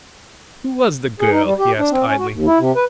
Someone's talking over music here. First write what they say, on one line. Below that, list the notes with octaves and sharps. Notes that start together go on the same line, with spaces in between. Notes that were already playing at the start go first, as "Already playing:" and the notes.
"Who was the girl?" he asked idly.
G#4
D#4
G3
G4
D4
C4
C#4
F#4
D#2
E4
C3
B4